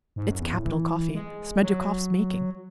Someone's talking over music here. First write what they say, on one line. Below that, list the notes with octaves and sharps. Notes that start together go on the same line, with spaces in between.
It's capital coffee: Smerdyakov's making.
G#2
F#2
E2
A2
E3
G#3
F#3